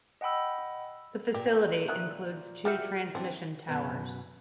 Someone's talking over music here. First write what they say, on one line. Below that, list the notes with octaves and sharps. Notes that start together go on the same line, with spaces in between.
The facility includes two transmission towers.
D#5 F#5 G5 B5 E6
A#2 G4
D#3 F3 E5 F#6
G3 F#4 E5 F6 G6 C#7
E3 C4 D4
F#2 B2 B3